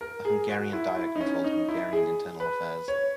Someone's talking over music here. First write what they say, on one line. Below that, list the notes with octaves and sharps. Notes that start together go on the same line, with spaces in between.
The Hungarian Diet controlled Hungarian internal affairs.
A#4
G#4
F#4
E4
E4
D#4
C#4
D#4
E4
G#4
B4
C#5